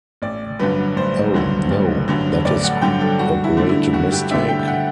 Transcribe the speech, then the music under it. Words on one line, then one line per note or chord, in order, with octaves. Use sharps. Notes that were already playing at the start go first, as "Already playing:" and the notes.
Oh, no; that is a great mistake.
A1 D5
G2 D3 F#3 B4
A1 C5
G2 D3 F#3
A1
G2 D3 F#3
A1 D5
F#5
G2 D3 F#3 G5
A4
G2 F#4
E4
D3 A3 D4
E4
G2 F#4
G4
D3 A3 D4 E5
G5
F#5